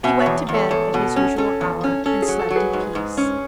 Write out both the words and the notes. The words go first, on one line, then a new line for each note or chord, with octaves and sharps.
He went to bed at his usual hour, and slept in peace.
B2 E5 G#5
C#5 E5
E2
E2
A4 C#5
E2 A4 C#5
B2
C#4
C#4 A4
E2
C#4
C#4 A4
G#4
F#3
A4
F#3
G#4 B4
G#2
G#2
C#4